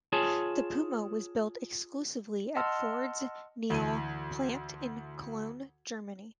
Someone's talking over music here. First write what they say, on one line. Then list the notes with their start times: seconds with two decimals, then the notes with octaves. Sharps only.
The Puma was built exclusively at Ford's Niehl plant in Cologne, Germany.
0.13 F4 G#4 C#5 G#5 A5
2.56 D#5 F#5 A5 C6 E6 F6
3.70 D2 E3 D#7